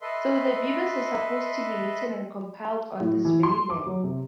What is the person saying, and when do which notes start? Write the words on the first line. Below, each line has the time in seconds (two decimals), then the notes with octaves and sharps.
So the Vedas were supposed to be written and compiled on this very land.
0.01 A4 B4 D#5 E5 C6
3.00 A2
3.25 E3
3.43 C6
3.70 D6
3.86 F#3
4.04 C3